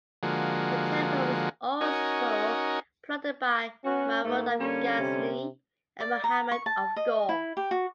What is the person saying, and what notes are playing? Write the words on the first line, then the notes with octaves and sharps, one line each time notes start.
The temple was also plundered by Mahmud of Ghazni and Muhammad of Ghor.
D3 F3 G#3 A#3 F#4
C#4 D#4 F#4 A#4 G#5
B3 C#4 F#4
G#2 A3 A#3
D3 G3 C#4
C3
D5
A#5
C#6
A5
D#5
E4
G4
F#4